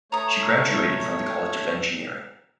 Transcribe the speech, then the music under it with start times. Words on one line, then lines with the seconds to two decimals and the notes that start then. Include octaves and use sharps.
She graduated from the College of Engineering.
0.12 A3 C#5 A#5 D#6